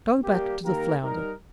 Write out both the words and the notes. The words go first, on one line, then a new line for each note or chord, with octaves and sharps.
Go back to the flounder.
G3 A#3 G4
D#3 A#3 G4 A#4
G3 D#4 A#4